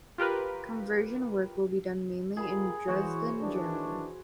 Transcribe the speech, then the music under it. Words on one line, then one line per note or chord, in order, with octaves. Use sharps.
Conversion work will be done mainly in Dresden, Germany.
F4 G4 A#4 B4
F4 G4 G#4 A#4 B5
E3 F#4 C5 C#5
D#3 E3 D4